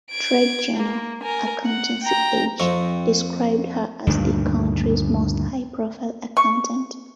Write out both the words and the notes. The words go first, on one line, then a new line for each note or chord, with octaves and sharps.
Trade journal "Accountancy Age" described her as "the country's most high profile accountant".
G#6 D7
A#3
A#4 G#5
F#5
G5 A#5
F2 C4 C#6
D2 G2 A#2 D#3
C#6